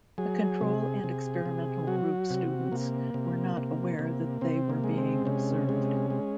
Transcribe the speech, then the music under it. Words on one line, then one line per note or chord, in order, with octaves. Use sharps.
The control and experimental group students were not aware that they were being observed.
F#3 G#4
C3
C3
C3
F#3 F#4
C3
C3 A#3
C3
C3
C3
C3 C4
A#3
G#3
C4
C3 C#4
G#3
G#3